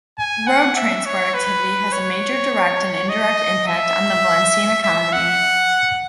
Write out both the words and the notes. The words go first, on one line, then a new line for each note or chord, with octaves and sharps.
Road transport activity has a major direct and indirect impact on the Valencian economy.
G#5
F#5
E5
C#5
B4
C#5
D#5
E5
E5
F#5